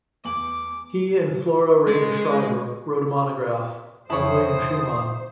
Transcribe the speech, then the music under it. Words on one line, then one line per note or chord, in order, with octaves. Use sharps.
He and Flora Rheta Schreiber wrote a monograph on William Schuman.
E2 G#5 D6 F#7
G#3
F2 E3 E4 C5 C#5 A5 D#6